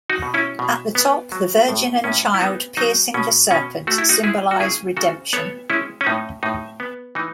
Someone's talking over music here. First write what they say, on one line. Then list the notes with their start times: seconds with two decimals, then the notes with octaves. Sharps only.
At the top, the Virgin and Child piercing the serpent symbolize redemption.
0.10 D#4 F#4
0.22 B2
0.34 C#4 E4
0.59 B2
0.95 B3
1.32 F#3
1.69 A2
2.04 A2 C#4
2.34 E4
2.41 B3 D#4
2.77 F#3 D#4
3.14 B2 C#4
3.51 B2 C#4
3.87 A3 F#4
3.98 E4
4.09 D#4 F#4
4.24 G#3 E4 G#4
4.51 F#4
4.60 C#3 E4 G#4
4.97 C#3 F#4 A4
5.33 B3 A4 C#5
5.70 G#3 C#4 E4
6.01 C#4
6.06 A2 D#4
6.43 A2 D#4
6.80 B3
7.15 E3 D#4